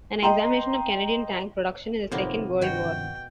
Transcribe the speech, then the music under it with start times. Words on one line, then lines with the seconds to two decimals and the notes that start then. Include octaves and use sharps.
An examination of Canadian tank production in the Second World War.
0.22 D#5 G5 A#5 C6
2.12 G1 A2 C3 F3 A#3 B3 D#4
2.61 G1 G2 B2 D#3 F#4 G5